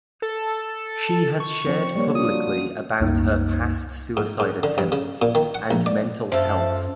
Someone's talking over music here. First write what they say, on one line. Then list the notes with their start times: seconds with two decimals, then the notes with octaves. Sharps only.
She has shared publicly about her past suicide attempts and mental health.
0.22 A4
1.40 C#6
1.67 F3 C4
1.95 G3 A#3 C#5
2.15 D4 F4 D#6
2.34 F#4
3.00 C2 F#2 A#3 D#4
4.17 G#2
4.40 G#2
4.63 D3
4.78 G2
4.92 C#3
5.22 A#2
5.35 D#3
5.55 F#5
5.71 A#1
5.86 D5
6.32 F#2 F3 A4 C5 E5